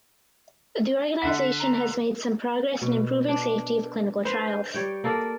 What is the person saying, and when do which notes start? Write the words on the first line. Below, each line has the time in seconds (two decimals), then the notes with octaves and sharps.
The organization has made some progress in improving safety of clinical trials.
1.22 D3 F#5 B6
1.60 A#5
2.82 B2
3.28 D4
4.25 B4 C5
4.74 G3 C#5 G5
5.04 A#3 A4 A#4 D5